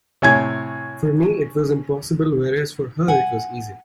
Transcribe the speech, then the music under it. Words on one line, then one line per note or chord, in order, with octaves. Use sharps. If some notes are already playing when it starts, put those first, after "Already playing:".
For me it was impossible, whereas for her it was easy.
A2 C3 C#5 G#5 G#6
F#5 G#5